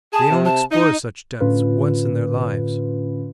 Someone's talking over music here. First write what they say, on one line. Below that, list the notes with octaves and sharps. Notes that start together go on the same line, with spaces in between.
They don't explore such depths once in their lives.
G#4 A5
C3
A5
D#4 D#5
A2 D3 C#4 F4 B4